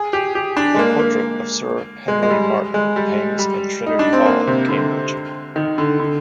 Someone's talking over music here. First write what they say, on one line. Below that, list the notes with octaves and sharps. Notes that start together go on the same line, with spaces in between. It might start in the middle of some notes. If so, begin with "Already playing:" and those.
A portrait of Sir Henry Martin hangs in Trinity Hall, Cambridge.
Already playing: G#4
G4
G4
D4
G#3
A#3
A#3
G#3
G#3
G3
G#3
G3
G3
D#4
D4
C4
A#3
C3
D3
D#3
D3
D3